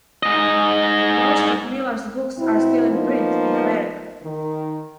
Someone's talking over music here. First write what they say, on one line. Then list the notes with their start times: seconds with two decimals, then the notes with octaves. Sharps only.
Most of Millar's books are still in print in America.
0.23 G#2 D#5
2.38 B2 C4 E4
2.90 F3 A#3 B3 D#4
4.24 D#3